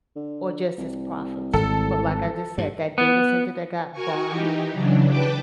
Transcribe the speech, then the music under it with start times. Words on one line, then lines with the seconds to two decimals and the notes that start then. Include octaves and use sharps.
or just its profits? But, like I just said, that data center that got bombed,
0.16 D3
0.78 C2
1.54 G#1 A4
2.58 G2
2.98 B3
3.92 F#4 A#4 G#5 C#6
4.27 E3 D#4 G4
4.73 C#3 E3 F#3 D4
5.09 B4 G5 A5 D6